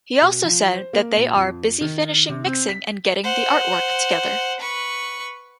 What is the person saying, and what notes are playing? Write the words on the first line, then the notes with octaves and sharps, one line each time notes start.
He also said that they are "busy finishing mixing and getting the artwork together".
B2
F3
C5
A#3
A#2
F2
D#3
C3
C4
B6
C5 F#5
B4 C#6